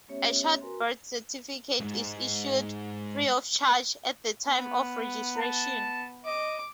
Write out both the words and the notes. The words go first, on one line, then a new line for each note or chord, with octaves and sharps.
A short birth certificate is issued, free of charge, at the time of registration.
A3 B3 C#4 G4 C#5 E5
F#4 A#4 B4 G#5 A#5 C6
F2 G#2 G#3
B3
A5
D#5 D6